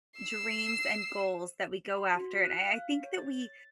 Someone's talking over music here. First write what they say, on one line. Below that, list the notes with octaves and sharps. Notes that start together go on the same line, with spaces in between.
dreams and goals that we go after, and I I think that we
E6 C7
C6
F#4
F#6
F5
C#5
A6
A6